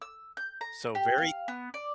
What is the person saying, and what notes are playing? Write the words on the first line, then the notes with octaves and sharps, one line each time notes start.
so very
E6
G6
A#5
G4
F5
B3
D5